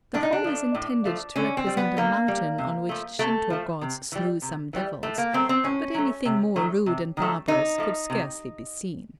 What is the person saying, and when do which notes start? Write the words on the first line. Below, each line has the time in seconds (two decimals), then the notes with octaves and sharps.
The whole is intended to represent a mountain on which the Shinto gods slew some devils, but anything more rude and barbarous could scarcely be seen.
0.14 A2 D4
0.23 D#4
0.33 D4
0.44 F3 A3
0.75 A2
1.05 F3 A3
1.36 D3 C#4
1.57 C4
1.67 G3
1.77 B3
1.97 D3 A#3
2.28 G3
2.58 C3
2.89 F3 A3
3.19 C3 A3
3.50 F3 A3
3.81 C3
4.12 E3 G3
4.42 C3
4.73 E3 G3
5.03 A2 A3
5.18 A#3
5.33 F#3 A3 C4
5.49 C4
5.64 A2 C#4
5.94 F#3 A3
6.25 C3
6.56 D#3 F#3 A3
6.86 C3
7.17 D#3 F#3 A3
7.48 C3 D#4
7.78 F3 A3
8.10 C3